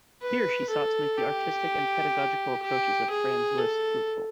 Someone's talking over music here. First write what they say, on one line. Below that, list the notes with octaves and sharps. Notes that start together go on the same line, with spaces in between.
Here she sought to make the artistic and pedagogical approaches of Franz Liszt fruitful.
B4
A4
G4
G4
G#4
A4